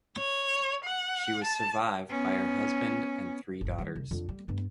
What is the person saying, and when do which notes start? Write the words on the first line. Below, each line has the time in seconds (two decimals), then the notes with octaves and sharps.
She was survived by her husband and three daughters.
0.18 C#5
0.84 F#5
1.44 A5
2.09 B3 C#4
3.61 G1 D#2
3.78 D#3 G3
3.96 C2
4.11 F2 D3
4.29 G3
4.48 G2 B3